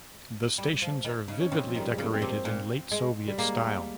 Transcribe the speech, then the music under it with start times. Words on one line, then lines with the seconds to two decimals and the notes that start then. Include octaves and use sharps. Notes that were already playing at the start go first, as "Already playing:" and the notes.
The stations are vividly decorated in late-Soviet style.
0.58 G3
0.82 F3
1.05 D#3
1.28 C#3 D#4
1.40 C#4
1.51 C#3 C4
1.68 F3
1.75 D#3
1.79 G3
1.91 G#3
1.98 C#3
2.02 A#3
2.14 C4
2.22 C3
2.45 A#2
2.91 G#3
3.27 G3
3.38 G#3 A#3